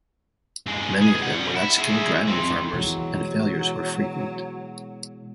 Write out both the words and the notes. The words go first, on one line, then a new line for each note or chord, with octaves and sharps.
Many of them were not skilled dryland farmers and failures were frequent.
G2 G#3
B1 G#4
G3 F#5
E4
G#4 E5
F2 C4
B2 E3 F#3 G#3